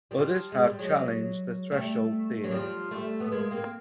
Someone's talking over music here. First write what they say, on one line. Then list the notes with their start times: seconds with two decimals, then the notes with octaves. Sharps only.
Others have challenged the threshold theory.
0.11 F3 G3
0.52 G#3
0.65 G3
0.79 F#3 G#3
1.71 G3 A3
2.44 F#3
2.51 F3 G3
2.91 G3 A3
3.20 B3
3.32 G#3 A#3
3.51 A#3 C4